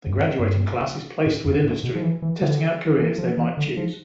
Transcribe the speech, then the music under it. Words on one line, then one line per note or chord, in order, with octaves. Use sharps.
The graduating class is placed with industry, testing out careers they might choose.
F2
G2
G2
A2
F2
A2
B2
F3
E3
E3
D3
E3
F3
E3
D3
F3